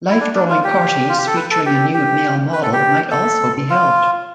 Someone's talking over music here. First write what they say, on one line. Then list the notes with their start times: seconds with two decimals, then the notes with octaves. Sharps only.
Life drawing parties featuring a nude male model might also be held.
0.11 E4
0.20 D4
0.34 D4
0.50 F4
0.64 G4
1.09 F4
1.18 G4
1.27 A4
1.36 B4
1.51 A4
1.66 G4
1.94 G4
2.53 B4
2.63 A4
2.73 G4
3.11 A4
3.70 F4